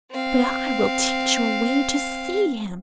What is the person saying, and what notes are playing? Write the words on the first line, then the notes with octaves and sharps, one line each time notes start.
But I will teach you a way to see him.
C4 F5